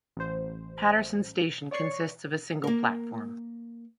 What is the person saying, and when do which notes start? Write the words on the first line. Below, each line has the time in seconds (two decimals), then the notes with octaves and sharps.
Paterson station consists of a single platform.
0.17 A1 C5
1.71 C#5 D5 C#6 C7 C#7
2.64 A#3 A#4